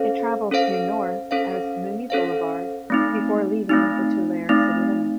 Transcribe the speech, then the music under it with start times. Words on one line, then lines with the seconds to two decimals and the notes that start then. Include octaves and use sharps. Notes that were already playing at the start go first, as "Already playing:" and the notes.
It travels due north as Mooney Boulevard before leaving the Tulare city limits.
Already playing: C#4 A4 C5 F5
0.51 C#4 A4 C5 F5
1.31 C#4 A4 C5 F5
2.10 C#4 A4 C5 F5
2.90 A3 C4 D#4
3.69 A3 C4 D#4
4.49 A3 C4 D#4